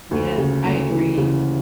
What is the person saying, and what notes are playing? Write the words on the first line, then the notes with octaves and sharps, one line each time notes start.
Yeah. I agree.
D2
C#3
D2
E3
C#3